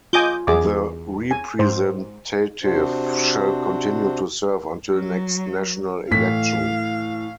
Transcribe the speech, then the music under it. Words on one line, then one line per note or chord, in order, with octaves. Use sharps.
The representative shall continue to serve until next national election.
F4 D#5 G#5 D6 G6
E2 G#4 D6
G#5
G#2 C5
C3 D4 F#4 C5
F#3
A2 E3 F5 B6